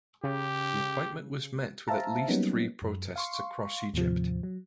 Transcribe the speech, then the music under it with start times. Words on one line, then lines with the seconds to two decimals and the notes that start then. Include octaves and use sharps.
The appointment was met with at least three protests across Egypt.
0.24 C#3 G4
1.88 C5 E5 F5 A5 A#5
2.28 F#3 G3 A#3 B3 C#4 D#4
2.82 F#2
3.16 F5 C6 C#6
3.94 D#2 A2 C3 F3
4.43 F#3